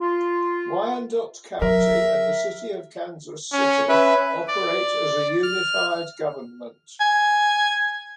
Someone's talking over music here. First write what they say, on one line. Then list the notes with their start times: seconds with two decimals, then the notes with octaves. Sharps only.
Wyandotte County and the city of Kansas City operate as a unified government.
0.01 F4
1.62 F#3 A#4 E5
3.53 C#4
3.89 C#4 B4 E5
4.48 D5
5.43 F6
7.00 G#5